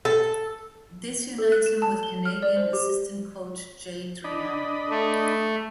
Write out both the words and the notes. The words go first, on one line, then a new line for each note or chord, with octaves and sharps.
This unites him with Canadian assistant coach Jay Triano.
A4
A4
F#6
E7
A5
G7
F6
D5
C5
G4
D4 D#5 B5
A3